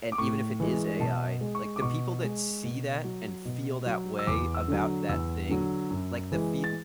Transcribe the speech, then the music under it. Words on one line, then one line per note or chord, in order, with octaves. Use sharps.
and even if it is AI, like, the people that see that, and feel that way about that thing, like, the fee
D6
A2 C#6
E3 G#3
B2 A5
G#3
C#6
D6
B2 C#6
G#3
B2
F#3
B2
F#3
E6
E2 D6
E6
D3 F#3
E2 E6
D3 F#3
F#2
E3 G#3
A6